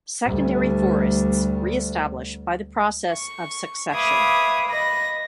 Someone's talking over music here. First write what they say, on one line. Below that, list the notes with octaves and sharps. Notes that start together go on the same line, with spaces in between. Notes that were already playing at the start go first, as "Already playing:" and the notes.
Secondary forests re-establish by the process of succession.
D2 G3
C#6
B4 E5 F5 D6 D#6 G#6
B4 D#5 A#6